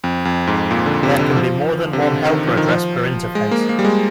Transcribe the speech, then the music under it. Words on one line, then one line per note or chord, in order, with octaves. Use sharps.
There can be more than one helper address per interface.
F2
F2
G#2
A#2
D3
C3
D3
F3
C3
D3
D#3
F3
D#3
F3
G#3
A#3
A#3
G3
G#3